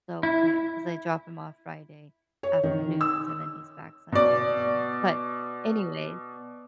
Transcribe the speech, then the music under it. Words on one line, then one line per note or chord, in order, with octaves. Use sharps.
so quick 'cause I drop him off Friday afternoons, and then he's back Sunday mornings. But, anyways
E4
C#5
D#3
E6
B2 D5